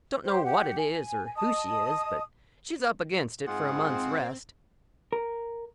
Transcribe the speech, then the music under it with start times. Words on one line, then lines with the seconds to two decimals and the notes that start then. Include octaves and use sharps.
Don't know what it is or who she is, but she's up against it for a month's rest.
0.25 G4 C5
0.45 G4 F#5
0.78 G#5
1.36 D#5 A5 D#6
3.47 G#2 C4 F4 G#4 F#5
5.13 A#4